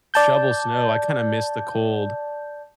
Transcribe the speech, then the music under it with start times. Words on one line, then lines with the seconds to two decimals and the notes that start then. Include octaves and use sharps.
shovel snow, I kinda miss the cold.
0.14 D5 A5 G6